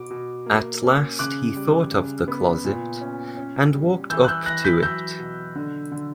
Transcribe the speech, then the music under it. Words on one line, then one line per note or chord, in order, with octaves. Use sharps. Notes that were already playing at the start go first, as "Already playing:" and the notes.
At last he thought of the closet, and walked up to it.
Already playing: B2 D6
B2
A#3
C#4
C#3 D6 F#6
G3
C#3
B3
A#2
C#4
C#4
G3
E3 E6 G6
F#6
E6 G6
E3 F#6 A#6
G6 B6
F#3 E6 G6
B2
D3
D3